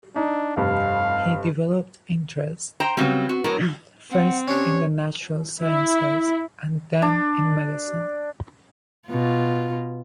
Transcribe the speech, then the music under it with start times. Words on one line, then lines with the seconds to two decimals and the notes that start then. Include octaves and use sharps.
He developed interest, first, in the natural sciences, and then, in medicine.
0.16 D4 D#4
0.57 F1 G2 F5
2.80 C5 G5 A#5
2.97 C#3 F#3 G3 B3 C4
3.29 F#4
3.44 A2 F#3 A#4
4.11 C4 F#5
4.48 C#4 D4 G4 C#5
5.61 E4
7.02 D4
9.09 B2 F4